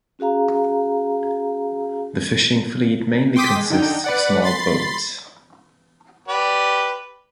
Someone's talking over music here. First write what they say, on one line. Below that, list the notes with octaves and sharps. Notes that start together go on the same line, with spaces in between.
The fishing fleet mainly consists of small boats.
C#4 F#4 G#4 F5 A#5
G5 C6 D6 D#6 B6
G#3
D3 D#4 G5
B4 D5 F#5
B5 C6 A6 C7
G4 B4 D5